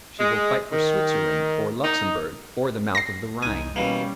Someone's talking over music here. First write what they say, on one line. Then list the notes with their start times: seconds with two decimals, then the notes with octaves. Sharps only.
She will fight for Switzerland or Luxembourg, or the mouth of the Rhine.
0.19 G#3
0.72 D#3
1.84 D#4
2.95 A#6 C7
3.42 C2 D#4 G#5
3.76 B2 E3 G3 A#3 C#4